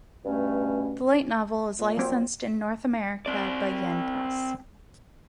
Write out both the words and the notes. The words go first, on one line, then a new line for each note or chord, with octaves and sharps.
The light novel is licensed in North America by Yen Press.
G2 B2 A3 C#4
A#2
F#3 C4
C4 D5